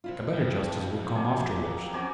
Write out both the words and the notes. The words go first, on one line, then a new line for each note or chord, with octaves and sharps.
A better justice will come afterwards.
C3 E4 F4
F2
F#3 A#3 G#5
C4 C#4 F#4 G#5 D6